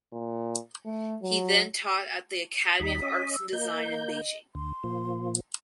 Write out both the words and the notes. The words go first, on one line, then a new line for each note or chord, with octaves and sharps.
He then taught at the Academy of Arts and Design in Beijing.
A#2
A3
F#3
D#2 G3 D#4 B6
C#4 D#5
E6
A#3 D#5 G6
D2 C6
A#2 F3